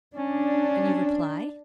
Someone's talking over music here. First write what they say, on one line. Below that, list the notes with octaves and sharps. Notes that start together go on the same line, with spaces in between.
"And you reply?"
C#4 D4